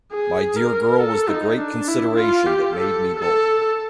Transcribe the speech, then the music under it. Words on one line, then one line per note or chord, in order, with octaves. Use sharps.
My dear girl was the great consideration that made me bold.
G#4
A#4
A4
D#4
D4
E4
F4
G4
A4
A4